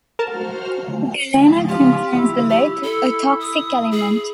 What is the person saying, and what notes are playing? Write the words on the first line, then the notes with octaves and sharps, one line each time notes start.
Galena contains lead, a toxic element.
F#4 A#4 C5 A5 F6
F4 G4
E4
G4
A4
D#6
G#4